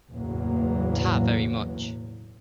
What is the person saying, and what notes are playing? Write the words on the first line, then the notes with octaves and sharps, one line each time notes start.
Ta very much.
F#1 B1 E2 A2 F#3 A#3